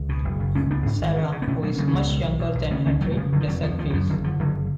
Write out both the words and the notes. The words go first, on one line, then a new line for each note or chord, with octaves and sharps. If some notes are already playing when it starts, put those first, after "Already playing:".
Sarah, who is much younger than Henry, disagrees.
Already playing: C#2
B2
F#1
F#1
C#2 A3 C#4
C#2 B3 D4
G#2
G#1
C#3
C#3
B3
B2 A3 C#4
B2 F#3 A3
C#3 F#3 A3
C#4
C#2 G#3 B3
B2
B1
B2
B1
C#3 A3 C#4
C#2 A3 C#4
F1 F#3 A3
A3
C#3 F3 G#3
F1 D3 F#3
F3
F2 D3 F#3
D2 F3
D2 F3
D3
F#2 F3
F#1 D3
D3 F3
F#1 D3 F#3